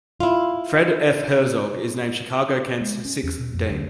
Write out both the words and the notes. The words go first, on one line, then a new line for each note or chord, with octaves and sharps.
Fred F. Herzog is named Chicago-Kent's sixth dean.
E4 F4
G#3
C#4
E2
B2
F2
D2